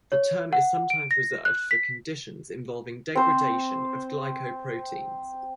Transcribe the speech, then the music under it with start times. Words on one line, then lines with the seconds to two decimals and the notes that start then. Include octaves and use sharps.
The term is sometimes reserved for conditions involving degradation of glycoproteins.
0.12 C#5
0.53 F#5
0.90 D7
1.11 A#6
1.45 F#6
1.71 B6
3.15 C4 C5